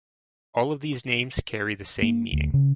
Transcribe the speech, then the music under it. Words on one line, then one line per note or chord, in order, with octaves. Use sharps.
All of these names carry the same meaning.
A#3
D2
C#3